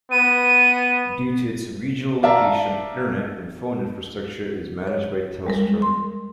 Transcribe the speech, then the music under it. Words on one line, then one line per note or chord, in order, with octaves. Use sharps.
Due to its regional location, internet and phone infrastructure is managed by Telstra.
B3 D#7
D5 E5 F5 A5 A#5
C#5
G3 G#3 A#4
C6